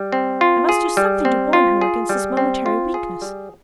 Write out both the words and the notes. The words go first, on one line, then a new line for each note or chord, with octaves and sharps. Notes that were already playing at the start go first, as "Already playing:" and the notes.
I must do something to warn her against this momentary weakness.
Already playing: G3
C4
F4
G#4
G3
C4
F4
G#4
G3
C4
F4
G#4
G3